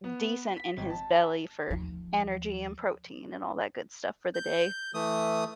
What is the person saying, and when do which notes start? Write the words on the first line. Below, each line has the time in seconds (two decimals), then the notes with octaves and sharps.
decent in his belly for energy and protein and all that good stuff for the day.
0.04 B3
0.57 B6
0.77 G#1
0.90 A5
1.71 D#2 F3
4.34 G6
4.94 E3 A3 D#6